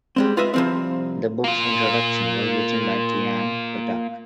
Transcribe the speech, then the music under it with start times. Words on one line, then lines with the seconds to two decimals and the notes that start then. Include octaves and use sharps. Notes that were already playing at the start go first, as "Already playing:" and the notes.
The book's introduction was written by Chaim Potok.
0.16 G3 G#3 C4
0.37 F4 B4 D#5 E5
0.54 C2 F3 C4
1.44 A#3 F4